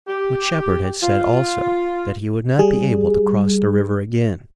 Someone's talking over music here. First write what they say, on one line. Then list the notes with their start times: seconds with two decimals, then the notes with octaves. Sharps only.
But Shepard had said also that he would not be able to cross the river again.
0.08 G4
1.03 F4
2.59 G3 G#4